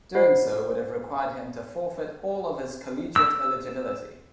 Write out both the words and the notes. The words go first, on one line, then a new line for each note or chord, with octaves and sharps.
Doing so would have required him to forfeit all of his collegiate eligibility.
F4 G4 C5 C#5 D#5 F#5
E6